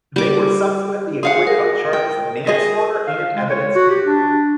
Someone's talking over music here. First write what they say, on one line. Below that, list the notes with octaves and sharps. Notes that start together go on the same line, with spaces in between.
They were subsequently acquitted on charges of manslaughter and evidence tampering.
G3 D6
G#4 F5 F#5
A#4
G5
G#4 D#5
F5
G#3
C#5
F#4
G4
D4